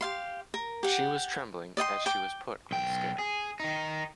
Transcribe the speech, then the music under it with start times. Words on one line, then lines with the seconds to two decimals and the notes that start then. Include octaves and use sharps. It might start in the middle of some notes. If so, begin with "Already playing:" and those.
She was trembling as she was put on the scale.
0.01 G4 F5 C6
0.54 A#4
0.83 G4 F#5
1.77 D5 D#5 G5 C6
2.06 G5 D6
2.71 B1 G5
3.18 G#4
3.60 D#3 D#4